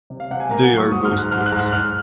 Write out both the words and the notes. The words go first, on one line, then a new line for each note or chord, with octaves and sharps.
They are ghost books.
C3
F5
C3 F#5
G#5
A#3 A#5
F#5
F#3
C#6
G#2 D#6
F6
G#2
F#6
G#2 F6
F#6
G#2
F#6
G#2 F6